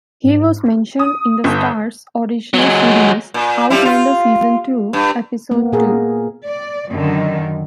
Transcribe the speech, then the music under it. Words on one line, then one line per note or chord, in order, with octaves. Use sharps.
He was mentioned in the Starz original series, Outlander season two, episode two.
G#2
D#6
G1
F#3 G#3
A#2
F3 G3 E4
F4
G2
A#3 B3
A#2 G#4 A#4
D5
F#2 D3 D#3